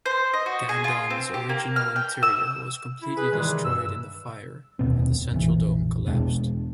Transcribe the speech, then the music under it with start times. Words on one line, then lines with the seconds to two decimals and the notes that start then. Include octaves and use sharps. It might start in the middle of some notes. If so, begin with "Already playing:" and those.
Gandon's original interior was completely destroyed in the fire and the central dome collapsed.
0.06 C5
0.33 D#5
0.46 F#4
0.69 G#4
0.84 F4
1.10 C4
1.34 G4
1.49 A#3
1.76 F6
1.96 G5
2.23 E6
3.02 E4
3.17 G#4 B4
3.31 G#2 C3 D#3 E3 G3 G#3
3.64 G2 E6
4.79 F1 D#2 B2 C4
5.32 F1 A#1 E3
6.07 E2 B2 G#3 D4